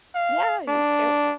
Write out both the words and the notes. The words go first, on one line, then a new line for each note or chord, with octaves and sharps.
Yeah, you too.
F5
D4